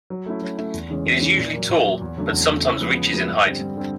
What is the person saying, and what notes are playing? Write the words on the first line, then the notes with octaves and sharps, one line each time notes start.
It is usually tall, but sometimes reaches in height.
F#3
A3 C#4 E4
F#3
A3 C#4 E4
E2
C#3 E3 G#3 C#4
E2
C#3 E3 G#3 C#4
A#2
F#3 A#3
A#2
F#3 A#3
E2
C#3 F#3 A3 D4
E2
C#3 F#3 A3 D4
C#3
F3 G#3 B3
C#3
F3 G#3 B3
G2
D3 G3 C4
G2
D3 G3 C4